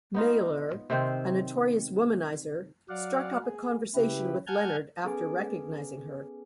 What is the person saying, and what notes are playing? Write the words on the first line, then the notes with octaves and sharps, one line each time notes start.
Mailer, a notorious womanizer, struck up a conversation with Leonard after recognizing her.
B3 D#4 F4
C3 D#3 C4 C5
F#3 D5 F5 F#5
G#4
C#3 E4 G4 B4
F#5 G#5 A5 F6 G6 G#6
B3 C#4 G#4 A4 B4 G#5